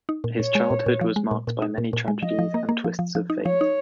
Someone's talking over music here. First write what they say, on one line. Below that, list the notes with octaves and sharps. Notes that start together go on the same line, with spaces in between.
His childhood was marked by many tragedies and twists of fate.
D#4
A#2
A#2 C#5
G#3
A#2
A#2
F3
G#3
A#2
A#2
D#4
A#2
A#2
G#3
F3 D#5
F3
A#3
A#3
F3
F3
F3
D#4
F3 C#5
D#4